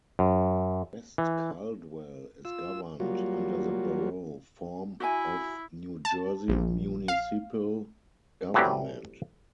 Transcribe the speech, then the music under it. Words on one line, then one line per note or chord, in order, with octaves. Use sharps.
West Caldwell is governed under the Borough form of New Jersey municipal government.
F#2
E3
F4 E6
F#3 G3 A#3 F4 F#4
E4 F#4 E5 G#5
A5
A#1
F5
A2 E3 F#3 G3 C4 G4